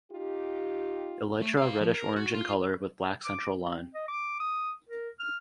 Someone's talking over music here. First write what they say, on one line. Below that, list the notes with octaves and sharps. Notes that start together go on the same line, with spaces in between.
Elytra reddish orange in color with black central line.
D#4 F4 G4
A3
G#3 F5
F3
A#4
F#4
F4
D6
C4
D#5
D6
D#6
A#4
F6